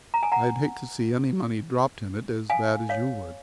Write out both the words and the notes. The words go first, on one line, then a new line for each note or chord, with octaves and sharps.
I'd hate to see any money dropped in it as bad as you would.'
A#5
G#5
F#5 A#5
F5 G#5
C#5 F5